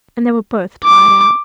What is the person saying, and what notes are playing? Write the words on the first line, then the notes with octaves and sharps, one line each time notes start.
And they were both tired out.
D6